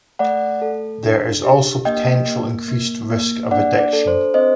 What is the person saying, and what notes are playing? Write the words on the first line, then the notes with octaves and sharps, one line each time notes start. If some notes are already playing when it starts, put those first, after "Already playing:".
There is also a potential increased risk of addiction.
A3 D5 F#5
A4
D4
G4
A#3 D#5 G5
A#3
A#3
A#3
D4 D5 F#5
D5
A4
C5
C4 C5 D#5